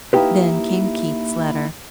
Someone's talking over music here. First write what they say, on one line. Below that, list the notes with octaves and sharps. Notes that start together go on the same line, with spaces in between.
Then came Keith's letter.
A#3 D#4 E4 G4 B4